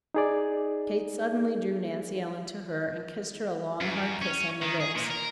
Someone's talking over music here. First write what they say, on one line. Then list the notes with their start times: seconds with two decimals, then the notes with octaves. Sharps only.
Kate suddenly drew Nancy Ellen to her and kissed her a long, hard kiss on the lips.
0.14 D#4 G#4 D5
3.80 F#2
4.22 C#4
4.62 D#3
4.80 G#4
4.96 A#2
5.10 A#4